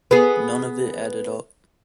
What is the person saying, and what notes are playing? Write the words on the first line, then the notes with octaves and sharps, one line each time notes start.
None of it added up.
B3 G#4